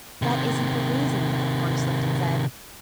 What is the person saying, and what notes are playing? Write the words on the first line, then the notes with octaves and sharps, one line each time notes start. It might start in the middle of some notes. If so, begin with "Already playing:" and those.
"That isn't the reason, though," von Schlichten said.
C3 D#3